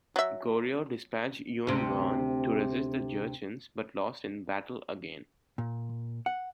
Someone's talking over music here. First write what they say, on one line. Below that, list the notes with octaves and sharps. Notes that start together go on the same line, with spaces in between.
Goryeo dispatched Yun Gwan to resist the Jurchens but lost in battle again.
F#3 E5
D2 C3
A#2
F#5